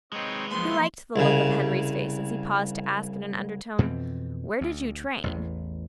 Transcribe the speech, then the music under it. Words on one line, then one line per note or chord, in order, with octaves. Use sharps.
He liked the look of Henry's face as he paused to ask in an undertone, "Where did you train?"
G#3 C4 D#4 B4 C#5
D#3 F3 A#3 B3 C6
C2 C#3
F2 B2 E3 C4
D2
A1 E2